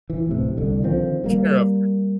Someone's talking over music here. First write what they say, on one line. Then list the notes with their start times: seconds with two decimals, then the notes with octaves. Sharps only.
take care of.
0.10 E3
0.26 D1 A2 C3
0.57 C2 D3
0.82 D3 D#3 F3 C4
1.24 G3 A#3